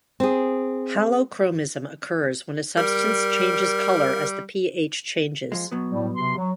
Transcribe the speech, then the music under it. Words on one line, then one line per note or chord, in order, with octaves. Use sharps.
Halochromism occurs when a substance changes color as the pH changes.
C4 G#4
G3 A#4
F3 G#3
B2 F#3 B3
A2 G3
C3 C6
F#3